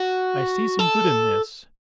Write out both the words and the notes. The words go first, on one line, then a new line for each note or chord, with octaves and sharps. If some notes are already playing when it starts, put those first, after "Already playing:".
I see some good in this.
Already playing: F#4
A4